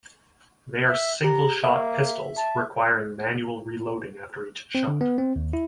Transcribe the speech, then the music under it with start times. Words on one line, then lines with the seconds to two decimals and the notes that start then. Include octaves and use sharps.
They are single shot pistols, requiring manual reloading after each shot.
0.89 E5
1.24 G4 A#5
1.64 A#3 E5
2.37 A5
4.75 C4
4.88 D3
5.01 B3
5.18 C4
5.36 D#2
5.53 E4